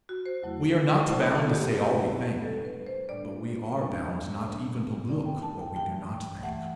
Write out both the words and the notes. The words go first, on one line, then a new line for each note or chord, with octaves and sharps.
We are not bound to say all we think, but we are bound not even to look what we do not think.
F#4
C5
E2 C3 F#3 A3 E4
E2 C3 F#3 A3 E4 C5
A4
G4
E2 C3 F#3 A3 E4
A2 G3 D4 A4
B4
C5
A2 G3 D4 D5
A2 G3 D4
A2 G3 D4
G2 E3 A3 D5
G5
A5
G5
G2 E3 A3 G5
G2 E3 A3 F#5